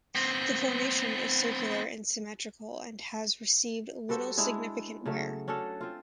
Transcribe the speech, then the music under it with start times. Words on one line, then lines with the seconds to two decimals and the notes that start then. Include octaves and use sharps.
The formation is circular and symmetrical, and has receive little significant wear.
0.15 B3 C4
4.09 G3 F#4 A4 C5
4.37 G#3 D4 E4 G#4
5.06 C#3 F#3 A3
5.48 C#4 D4 F#4 A4
5.81 C4 F4